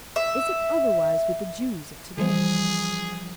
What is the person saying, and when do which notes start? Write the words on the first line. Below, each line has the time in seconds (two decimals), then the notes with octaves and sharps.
Is it otherwise with the Jews of to-day?
0.16 E5
2.18 E3 F3 G3 G#4 C5